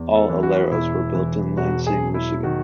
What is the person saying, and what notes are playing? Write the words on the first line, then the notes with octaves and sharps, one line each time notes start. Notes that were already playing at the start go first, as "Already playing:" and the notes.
All Aleros were built in Lansing, Michigan.
Already playing: E2
A4
E3
F#4
E1 E4
E3
E1 F#4
G#4
F#3
E4
D#3 F#4